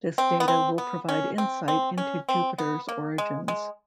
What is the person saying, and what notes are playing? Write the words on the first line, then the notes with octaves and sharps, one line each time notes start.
This data will provide insight into Jupiter's origins.
C4
B3
C4
B3
C#4
C4
C4
C#4
C4
B3
A#3
G#3
G#3